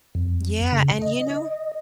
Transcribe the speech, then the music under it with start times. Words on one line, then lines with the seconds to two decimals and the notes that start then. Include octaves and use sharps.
Yeah, and you know
0.15 F2
0.72 C#3
1.02 D#5